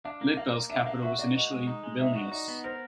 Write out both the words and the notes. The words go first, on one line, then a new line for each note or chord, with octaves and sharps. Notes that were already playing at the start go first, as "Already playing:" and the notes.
Litbel's capital was initially Vilnius.
D4 F5
A#3
A#3 F5
A#3
D4 E5
A#3 F5
F#4 E5
A#3 D5
F#4 D#5
G#3
D#4
G#3
D#4 E5
F#4
D#4 D5
B3
A#4 C5